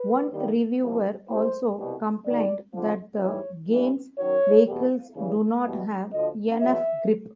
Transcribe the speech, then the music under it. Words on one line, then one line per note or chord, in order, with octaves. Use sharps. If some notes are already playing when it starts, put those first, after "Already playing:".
One reviewer also complained that the game's vehicles do not have enough grip.
Already playing: B4
D#2 D#3 G3
C2 A#2 F3
A2 E3 G3 C5
C2 B2 G3
G#2 D#3 F#3 D5
F2 D3 F3
G#2 E3 G3 C#5
G2 E3 G3
F#2 D#3 F#3 C#5
E2 B2 G3
E2 C#3 E3 G3
E2 B2 G3
D2 D3 F3 D#5
E2 B2 F#3 E5